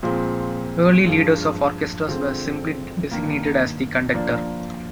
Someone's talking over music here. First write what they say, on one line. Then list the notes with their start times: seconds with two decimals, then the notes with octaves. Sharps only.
Early leaders of orchestras were simply designated as the conductor.
0.03 A#2 F3 G#3 C4
1.06 G2 F3 G#3
2.09 D3 G#3 C4 F4
3.11 G2 D#3 A#3
4.14 F3 A#3 D4